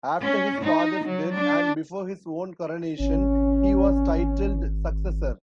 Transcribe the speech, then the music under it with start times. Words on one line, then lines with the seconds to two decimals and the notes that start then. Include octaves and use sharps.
After his father's death and before his own coronation, he was titled "successor".
0.24 C#4
0.62 D#4
1.06 F#3
1.38 D4
3.00 G#1 C#4